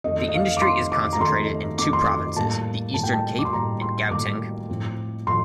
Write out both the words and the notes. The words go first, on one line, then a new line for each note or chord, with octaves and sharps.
The industry is concentrated in two provinces, the Eastern Cape and Gauteng.
F2 D#3 A3 D#5
D#5
F5
D6
F2 D#3 A3 C6
D6
A#5
F2 D#3 A3 C6
F2 D#3 A3 D6
C6
D6
A2 G3 A#3 A5
A2 G3 A#3 A5
G5
A5
D6
C6
A2 G3 A#3 A#5
C6
A2 G3 A#3 D6
A2 F3 A3 C4
A2 F3 A3 C6